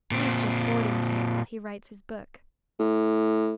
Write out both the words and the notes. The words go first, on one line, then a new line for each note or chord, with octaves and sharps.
He's just boarding here, while he writes his book.
A#2 C4
A2